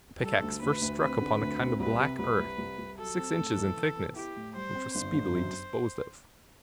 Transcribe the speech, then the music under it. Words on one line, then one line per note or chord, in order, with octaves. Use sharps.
The pickaxe first struck upon a kind of black earth, six inches in thickness, which was speedily disposed of.
G3 A4
D2
D2 B4
D2
C4 B4
D3
D2
C4
C2 B4
C3
C2 B4
C2
C2
C2
F#3 A4
C4
A2
E3
E3
B3
E4 G4
A2
G3 C5
C4
G1 C5
G1
F#2